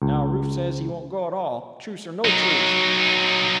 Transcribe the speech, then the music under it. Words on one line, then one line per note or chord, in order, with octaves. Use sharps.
Now Rufe says he won't go at all--truce or no truce.
C#2
F#3 D#4